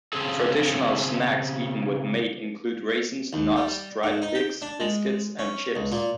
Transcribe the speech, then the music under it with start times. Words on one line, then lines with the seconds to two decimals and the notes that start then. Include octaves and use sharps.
Traditional snacks eaten with mate include raisins, nuts, dried figs, biscuits, and chips.
0.13 C#3 F#3 C4 C#4 G#4 A4
3.33 D#2
3.57 G3
4.03 G#2
4.22 D#4
4.35 G5
4.62 D4
4.80 G#3
5.39 C#4
5.76 C#2
5.92 A#2